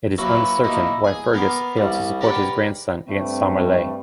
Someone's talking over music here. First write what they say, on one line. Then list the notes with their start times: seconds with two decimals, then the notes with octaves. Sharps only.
It is uncertain why Fergus failed to support his grandson against Somairle.
0.18 F#3 A#3 E4 F#4 B4
0.64 A#3 D#4 E4
1.04 G#4 G#5
1.33 B3 A#4 F5 A#5 D6
1.77 C2 G3
2.21 G4 A#4 B4 D5 F#5 G5
3.07 G2 G3 A3 C4